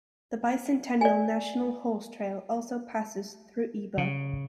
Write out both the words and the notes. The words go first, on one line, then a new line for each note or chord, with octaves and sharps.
The Bi-Centennial National Horse Trail also passes through Ebor.
D5 G#5
C#3